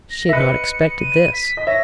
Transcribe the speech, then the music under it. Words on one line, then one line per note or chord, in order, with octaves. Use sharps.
She had not expected this.
A#6
E5
B4 D#5 C#7
D#7
B6
D#5
C#5 E5 A#6